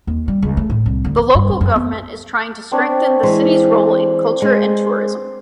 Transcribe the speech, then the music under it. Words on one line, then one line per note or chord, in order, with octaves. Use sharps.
The local government is trying to strengthen the city's role in culture and tourism.
D#2
G3
C#2
A3
A2
C2
D2
E3
G2
F2
F#2
B3
C4 D4 C#5
E3 G#3 C5
G#3 C6